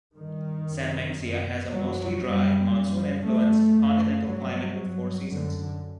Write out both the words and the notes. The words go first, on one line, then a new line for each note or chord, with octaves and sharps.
Sanmenxia has a mostly dry, monsoon-influenced continental climate with four seasons.
G2 D#3
F#2
F#2
F#2 F#3
F#2 G3
F#2
F#2 A3
F#2
G2 F#3
G2 F#3
F#2 D3